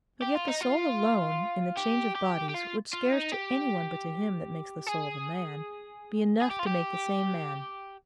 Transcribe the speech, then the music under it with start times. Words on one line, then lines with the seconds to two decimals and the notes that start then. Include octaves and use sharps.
But yet the soul alone, in the change of bodies, would scarce to any one but to him that makes the soul the man, be enough to make the same man.
0.22 G4
0.35 F4
0.48 D#4
0.61 F4
1.77 G4
2.16 G4
2.49 G4
2.54 F4
2.93 F4
3.13 D#4
3.32 G4
4.87 G#4
6.42 G#4
6.51 G4
6.59 F4
6.67 G4